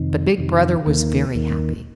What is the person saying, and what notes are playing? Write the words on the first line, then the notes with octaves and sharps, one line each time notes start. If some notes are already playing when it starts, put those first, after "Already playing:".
But Big Brother was very happy.
Already playing: F2 C3 D#3
F2 C3 D#3
D#2 D#3 A#3
D#2 D#3 A#3